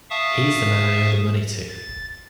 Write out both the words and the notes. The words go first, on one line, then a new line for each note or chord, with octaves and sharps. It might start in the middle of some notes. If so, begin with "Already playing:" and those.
He's the man I owe the money to.
E5 F5 A5 C#6 D#6
A6